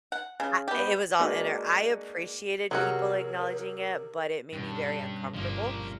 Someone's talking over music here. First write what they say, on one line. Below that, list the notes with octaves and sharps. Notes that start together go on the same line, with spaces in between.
Ah it was all inner. I appreciated people acknowledging it, but it made me very uncomfortable,
F#5
C#3
B3 G4
G#3 A#3 D4 D#4 F#4 B4
C3 F#3 C#4 D#4 F#4 G#4 A#4
G2 B2 C#4 A6
G1 F3 A#3